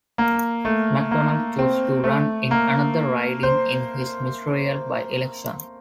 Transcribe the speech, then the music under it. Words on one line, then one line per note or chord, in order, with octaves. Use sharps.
Macdonald chose to run in another riding in his ministerial by-election.
A#3
A3
A#3
C4
A3
A#3
C5